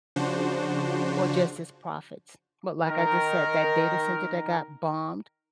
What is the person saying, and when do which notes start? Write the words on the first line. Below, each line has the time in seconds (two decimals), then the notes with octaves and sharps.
or just its profits? But, like I just said, that data center that got bombed,
0.16 C#3 F3 D4 F#4 C5
2.88 D#3 A#4